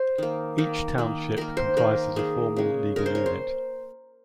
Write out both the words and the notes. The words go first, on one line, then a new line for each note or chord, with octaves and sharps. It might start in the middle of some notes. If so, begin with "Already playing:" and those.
Each township comprises a formal legal unit.
Already playing: C5
D#3 A#3
D#3 A#3
D#3 A#3
D#3 A#3 A#4
C5
D#3 A#3 A#4
D#3 A#3 G#4
C#3 G#3
C#3 G#3 A#4
C5
C#5
C5